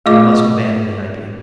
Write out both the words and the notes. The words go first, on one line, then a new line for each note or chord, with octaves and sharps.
But I must abandon the idea.
A3 F4 G#4 D#5 D6